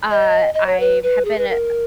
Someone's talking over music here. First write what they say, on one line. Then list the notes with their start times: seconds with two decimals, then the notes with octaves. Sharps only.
Uh, I've have been a a
0.11 D#5
0.54 D#5
0.66 C#5
0.80 B4
1.03 B4
1.25 G#4
1.38 B4
1.49 A#4